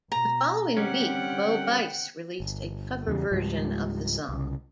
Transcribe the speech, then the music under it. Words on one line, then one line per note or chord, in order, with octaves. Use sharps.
The following week, Bo Bice released a cover version of the song.
B2 A#5
D3 G3 C4 C#4 F#5 G5
G1
E2 C#3 E3 G3
C#2 G#2 F3 G3
C2 C#3